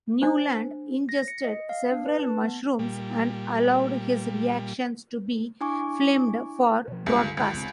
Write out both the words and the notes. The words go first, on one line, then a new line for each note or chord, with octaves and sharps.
Newland ingested several mushrooms and allowed his reactions to be filmed for broadcast.
D4 C5
A#6
C#7
D#5
F5
D4
B4
A5
B3
A#2 G3
D4 E4 G#5 C#6 D6
B2 F3
C#2 G2 C3 B3
D3
C#2
E1 C#3 C4